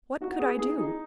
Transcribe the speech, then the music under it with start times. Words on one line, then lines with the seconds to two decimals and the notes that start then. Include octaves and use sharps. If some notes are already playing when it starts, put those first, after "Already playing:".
What could I do?
0.21 D#4 F#4
0.39 B3 G#4
0.59 D#4 G#4
0.78 D#4